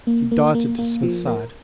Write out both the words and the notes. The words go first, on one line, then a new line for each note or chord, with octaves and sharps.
He darted to Psmith's side.
A#3
A#3
A#3
A#3
F3
A#4